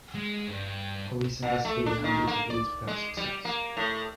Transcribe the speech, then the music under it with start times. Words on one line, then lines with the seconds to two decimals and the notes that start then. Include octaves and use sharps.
Police investigated hundreds of leads without success.
0.15 G#3
0.48 G2
1.43 A#2
1.65 A3
1.86 D4
2.04 D#3
2.27 A#3
2.50 D5
2.87 G#3
3.17 G3
3.45 A#3
3.77 A2